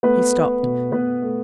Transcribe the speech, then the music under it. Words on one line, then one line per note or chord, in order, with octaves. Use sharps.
He stopped.
A3 B3 B4
A3
B2
B2 B3 B4
A3